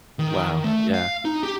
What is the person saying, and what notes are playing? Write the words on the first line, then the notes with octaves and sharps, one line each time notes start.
Wow, yeah.
D#3
A3
F5
D#4
G4